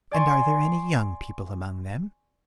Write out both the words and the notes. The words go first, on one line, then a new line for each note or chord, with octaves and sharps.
"And are there any young people among them?"
D5 G#5 C6 C#6